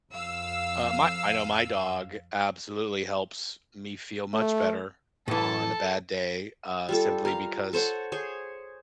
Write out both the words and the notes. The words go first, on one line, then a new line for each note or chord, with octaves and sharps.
Uh, my I know my dog absolutely helps me feel much better on a bad day, uh, simply because,
F2 F5 E6
A3
A2 E3 A4 A5
G3 F4 A4
A#4 F5
A4 C5 C#5 F#5
G#4 C5 C#5